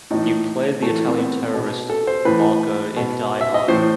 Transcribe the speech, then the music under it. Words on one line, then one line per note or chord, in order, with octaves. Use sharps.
He played the Italian terrorist Marco in "Die Hard".
A2 E3 D#4
A2 E3 A3
C4
B3
B2
A4
C5
A2 E3 B4
B2
E5
D#5
A2 E3 C5